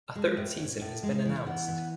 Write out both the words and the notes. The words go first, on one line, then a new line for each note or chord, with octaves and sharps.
A third season has been announced.
G#3
A2
C#4
A2
G#3
E3
B3
E3